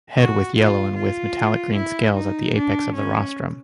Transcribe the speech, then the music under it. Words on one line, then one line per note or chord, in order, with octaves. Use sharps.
Head with yellow and with metallic green scales at the apex of the rostrum.
F#4
F4
F4
E4
D#4
D4
C#4